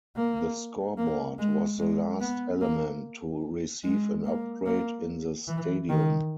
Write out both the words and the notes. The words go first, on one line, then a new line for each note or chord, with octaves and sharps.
The scoreboard was the last element to receive an upgrade in the stadium.
A#3
A#3
G#3
G#3
B3
A#3
G#3
A#3
A#3
E3
D#3